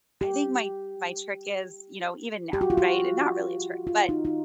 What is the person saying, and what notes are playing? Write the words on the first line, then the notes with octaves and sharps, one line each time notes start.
I think my my trick is, you know, even now, right? And not really a trick, but
G4
G4
F#4
F4
F#4
F4
D#4
D#4